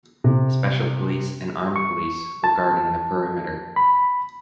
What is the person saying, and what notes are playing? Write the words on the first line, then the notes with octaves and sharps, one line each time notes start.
Special police and armed police were guarding the perimeter.
C3
C#6
A5
B5